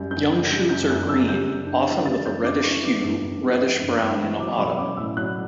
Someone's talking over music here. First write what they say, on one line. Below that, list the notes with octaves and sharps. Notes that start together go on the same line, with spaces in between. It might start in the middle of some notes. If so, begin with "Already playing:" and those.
Young shoots are green, often with a reddish hue, reddish-brown in autumn.
Already playing: F#2 G3 G6
F#2 G6
C#3
G3 G6
F#2 G6
F#2 F#6
C#3 E6
G3 G6
F#2
D4
E3
G3 A6
F#2 G6
D4 D6
E3 C#6
B3 D6
G2
G2
E3
B3
G2
G2
E3
F#3 D6
C#6
B1 B5
C#4 D6
A2 E6
F#3 F#6